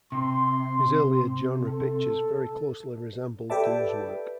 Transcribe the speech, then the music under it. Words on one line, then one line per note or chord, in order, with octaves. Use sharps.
His earlier genre pictures very closely resemble Dou's work.
C3 C6
A4
G4 A4 B4 D5 E5 A5